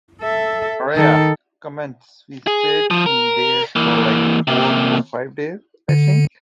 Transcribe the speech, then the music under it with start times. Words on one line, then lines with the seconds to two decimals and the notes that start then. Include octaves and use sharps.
Araya comments, We stayed there for like four or five days, I think.
0.21 A4 E5
0.96 D#3 A4
2.47 G#4
2.91 F3
3.06 A#4
3.76 E3 A#3
4.48 C3 A#3
5.89 D3